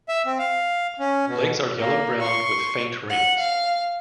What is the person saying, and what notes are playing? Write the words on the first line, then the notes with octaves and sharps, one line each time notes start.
Legs are yellow brown with faint rings.
E5
C4
F5
C#4
B2
A#3
C6 C#6
F#5
F5